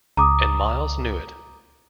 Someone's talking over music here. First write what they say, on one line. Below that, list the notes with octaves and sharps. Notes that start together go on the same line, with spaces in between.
And Miles knew it.
C#2 A#5 D6 D#6